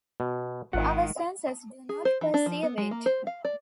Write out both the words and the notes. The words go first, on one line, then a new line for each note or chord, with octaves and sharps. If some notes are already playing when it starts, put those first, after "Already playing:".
Our senses do not perceive it.
B2
G#1 D#3 G#3 F4 F#5
G#4
C5
E3
D4
F3
B3
G#3
A#3
C5
F5
D5